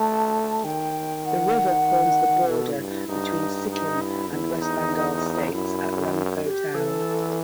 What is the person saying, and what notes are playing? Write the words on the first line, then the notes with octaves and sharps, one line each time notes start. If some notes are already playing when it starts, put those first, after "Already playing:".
The river forms the border between Sikkim and West Bengal states at Rangpo town.
Already playing: A3 A5
D#3 G5
F#5
B2 A4
E4
G2
E4
G2 D#4
D#4
E4
E2 E4
D#4
F#2 E4
G4
E3 A4